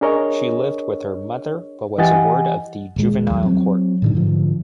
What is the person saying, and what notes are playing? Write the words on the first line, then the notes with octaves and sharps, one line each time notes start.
She lived with her mother, but was a ward of the Juvenile Court.
D4 G#4 A#4 C#5 D#5
E3 G4 D#5 F#5 G#5 A6
D#1 G#3
D#2 F#3
F#3 C4
A2 D3 D#3
G#2 D3 F3